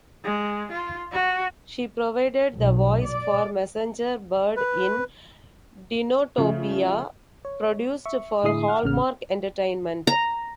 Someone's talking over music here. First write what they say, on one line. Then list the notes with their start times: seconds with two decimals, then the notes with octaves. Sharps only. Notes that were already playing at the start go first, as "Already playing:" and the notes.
She provided the voice for Messenger Bird in "Dinotopia", produced for Hallmark Entertainment.
0.25 G#3
0.72 F4
1.12 F#4
2.53 B1
3.04 D5
4.56 B4
6.38 C#3 F3 A3
7.45 C#5
8.06 E5 C#6
8.43 A2 D3 E4 G#4 D#6 C7
8.68 F#5 F6
8.83 A1 C#3 F6
10.07 A#5